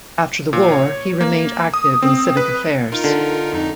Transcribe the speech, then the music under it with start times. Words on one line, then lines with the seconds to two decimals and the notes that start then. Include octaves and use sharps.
After the war he remained active in civic affairs.
0.53 A#2
0.72 C#5
1.20 A#3
1.74 D#6
2.02 C4
2.37 B4
2.92 D#4 F4 A#4
3.04 D3
3.53 F2 D#4